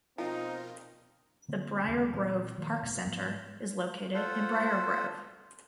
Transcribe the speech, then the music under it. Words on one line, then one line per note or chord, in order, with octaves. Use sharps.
The Briargrove Park Center is located in Briargrove.
B2 F3 C4 D#4 F4 A#4
D3 A#3 C4
D#2 C#3
A#2 E3 C4
D#3 F3 A3
F1 G#2 B2
G#2 F3 B3
F4 A4 C5 F#5